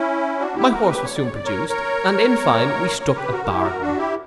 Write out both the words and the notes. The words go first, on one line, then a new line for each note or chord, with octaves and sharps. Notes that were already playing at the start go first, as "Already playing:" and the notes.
My horse was soon produced, and in fine we struck a bargain.
Already playing: C#4 E4
D4 F#4
E4 G4
F#4 A#4
G4 B4
C#5
D5
C#5
D5
A#4 C#5
A#4 C#5
A#4 C#5
G4 B4
F#4 A#4
A#4
E4 G4
F#4 A#4
D4 F#4
E4 G4